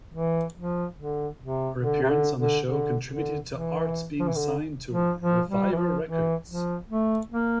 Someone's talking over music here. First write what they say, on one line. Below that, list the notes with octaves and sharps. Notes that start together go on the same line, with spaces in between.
Her appearance on the show contributed to Arts being signed to Reviver Records.
E3
F3
D3
C3
D3
C3
D3
D3
D3
D3
E3
F3
E3
D3
F3
F3
G3
E3
F3
E3
F3
A3
A#3